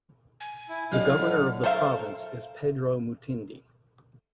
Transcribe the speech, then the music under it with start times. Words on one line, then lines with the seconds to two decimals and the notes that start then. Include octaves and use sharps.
The governor of the province is Pedro Mutindi.
0.40 G#5
0.69 E4
0.92 A2 D3 F#3 G4 D#5 F6
1.63 A4 A#4 C5 E5 F5